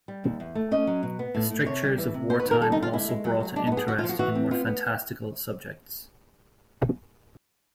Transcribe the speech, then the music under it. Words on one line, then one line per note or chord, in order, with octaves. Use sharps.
The strictures of wartime also brought an interest in more fantastical subjects.
G3
D#2
E2
A3
C#4 D#5
F#3
B2
B3
A2
A2
C3 C#5
G3
E3
C3
B3 C5
B4
D#3
A#4
G3 A4
D#4
D3
F4
G#3 E4
G#3
F#3
F#3
G#3 D4
D#4
B3
G#4
D3 F#4
F4
F3
F#4
E3 F#4
C4
B3 F4
B3